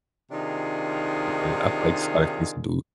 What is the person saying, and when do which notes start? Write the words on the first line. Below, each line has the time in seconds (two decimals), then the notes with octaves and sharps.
but, I finds finds things to do.
0.31 C3 D#3 D4 D#4 F4 G#4